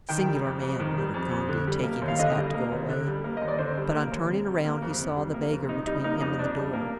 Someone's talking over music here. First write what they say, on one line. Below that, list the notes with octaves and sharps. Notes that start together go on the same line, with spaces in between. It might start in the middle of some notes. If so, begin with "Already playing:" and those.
"Singular man!" muttered Gondy, taking his hat to go away; but on turning around he saw the beggar between him and the door.
D#3 G5
G3
F2
F2
D#3
G3
F2
F2
D3
G3
A#3
D#2
F5
D3 D#5
G3
A#3
D#2
D3
G3
A#3
D#2 D#5
D5
D3 C5
G3
A#3
D#2
C3
G3
A#3
F2
C3
G3
A#3
F2
C3 D#4
G3 D#4
A#3 D#4
F2 D#4
C3 D4
G3
A#3